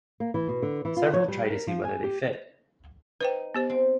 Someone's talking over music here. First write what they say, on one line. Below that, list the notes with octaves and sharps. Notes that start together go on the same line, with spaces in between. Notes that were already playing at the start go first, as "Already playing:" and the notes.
Several tried to see whether they fit.
A#3
E3
B2
D3
E3
F4
C#5
G3
A#4
F3
G#5
G4
D#4 B4 C5 G5
B3 G4 C5
C4